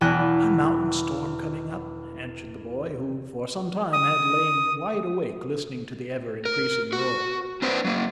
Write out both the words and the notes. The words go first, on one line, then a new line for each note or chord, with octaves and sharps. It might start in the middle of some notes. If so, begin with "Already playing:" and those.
"A mountain storm coming up," answered the boy, who for some time had lain wide awake listening to the ever increasing roar.
E1 E2 G5 G#5 F#6 A#6
D#6
A#4
F#4
C4 D4 B4 C5
F#3 A#3